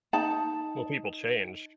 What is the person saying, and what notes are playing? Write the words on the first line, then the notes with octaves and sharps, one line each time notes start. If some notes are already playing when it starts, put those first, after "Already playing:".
Well, people change.
D#4 A5